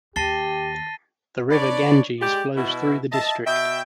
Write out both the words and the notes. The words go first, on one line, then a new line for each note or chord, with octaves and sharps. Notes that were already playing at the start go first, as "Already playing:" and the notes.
The river Ganges flows through the district.
D#2 G4 A5 A6 A#6 C7 D#7 G7
D4 B4 C#5 D5
G#3 G4 D5
B2 E4
D#5 E5 A5
B2 E5 G5